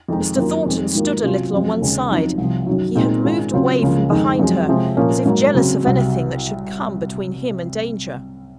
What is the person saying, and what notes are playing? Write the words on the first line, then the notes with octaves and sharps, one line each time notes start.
Mr. Thornton stood a little on one side; he had moved away from behind her, as if jealous of anything that should come between him and danger.
F2 D#3 G#3 C4 D#4
F#2 D#3 A#3 F4
F2 D#3 G#3 C4
G#2 D#3 F#3 A#3 F4
C3 F#3 C#4 F4
F#2 F3 C4
D#2 C#3 G#3
F#2 F3 C4 D#4
C2 C3 F3
F#2 D#3 F#3
A#2 G#3 C4 D#4
G#2 D#3 G#3 C#4 F4
C#3 F#3 C4 F4
C#2 C#3 F3 A#3 F4
F2 D#3 G#3 D#4
F#2 F3 G#3 C4
C3 F3 G#3 C4
A#2 F3 A#3 C#4
G#2 F#3 A#3
C#3 F#3 C4
C2 C3 F#3